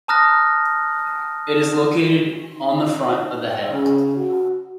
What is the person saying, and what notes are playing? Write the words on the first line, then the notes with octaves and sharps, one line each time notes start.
It is located on the front of the head.
A5 A#5 D#6 F6 F#6 A#6
D#4
C#3
F#4